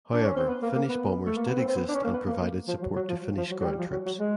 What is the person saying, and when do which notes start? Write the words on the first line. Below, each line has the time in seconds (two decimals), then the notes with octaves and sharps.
However Finnish bombers did exist and provided support to Finnish ground troops.
0.13 D4
0.25 C#4
0.36 C4
0.48 B3
0.62 A#3
0.75 A#3
0.89 B3
1.26 A3
1.37 A#3
1.47 B3
1.58 C4
1.68 C4
1.77 B3
1.88 D4
1.95 C#4
2.04 A#3
2.13 B3
2.27 A#3
2.41 A#3
2.68 F3
2.82 F#3
2.96 F#3
3.09 F3
3.23 F#3
3.37 F3
3.51 F#3
3.61 F#3
3.64 G3
3.78 F3
3.92 F#3
4.06 F#3
4.20 G#3